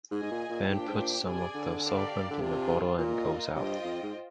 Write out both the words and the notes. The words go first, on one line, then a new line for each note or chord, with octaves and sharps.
Ben puts some of the solvent in a bottle and goes out.
G#2 G#4 D#5 G#5
G#2
A#2
A#2
G#2 D4 G4 C5 G5
A#2
G#2
A#2
C3 G#4 D5 G#5
D3
D4 G4 A#4 D5 F5
D3
C3 D4 F4 G#4
A#2 A#3 F4 A#4 D#5
G2 F4 C5 D#5 G5
F2
G#2